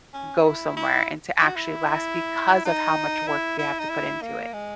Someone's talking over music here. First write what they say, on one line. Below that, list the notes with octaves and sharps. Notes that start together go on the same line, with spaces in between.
go somewhere and to actually last because of how much work you have to put into it.
C#4
E4
E4
E4
F#4
E4
D#4
E4
E4
D#4
E4
A#3
G#3